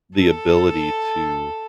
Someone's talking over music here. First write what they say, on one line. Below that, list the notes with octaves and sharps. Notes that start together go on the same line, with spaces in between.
the ability to
A4